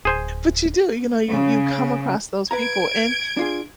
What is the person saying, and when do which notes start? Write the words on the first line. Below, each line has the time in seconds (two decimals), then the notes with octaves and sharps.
but you do, you know, you you come across those people and
0.05 D1 G#4 C5 G#5
1.30 C#3
2.51 B4 F5 A#5 G#6 D7
3.37 D4 F4 G#4